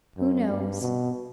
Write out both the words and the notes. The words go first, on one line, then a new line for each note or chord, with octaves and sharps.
"Who knows?"
F#2
G2
B2